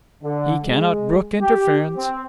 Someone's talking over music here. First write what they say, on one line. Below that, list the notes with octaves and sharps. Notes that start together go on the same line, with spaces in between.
He cannot brook interference.
D3
G#3
G4
C4